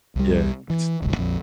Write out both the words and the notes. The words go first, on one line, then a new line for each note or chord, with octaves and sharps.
yeah, it's
C2 G3
E3
D1 G1 C2
A#1 F2